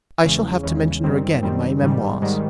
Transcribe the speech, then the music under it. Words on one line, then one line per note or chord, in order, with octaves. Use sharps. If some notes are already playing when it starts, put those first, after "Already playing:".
I shall have to mention her again in my Memoirs.
E2 C#3 E3 G#3 C#4
E2 C#3 E3 G#3 C#4
F#2 D#3 G3 C4
F#2 D#3 G3 C4
G#2 D#3 G3
G#2 D#3 G3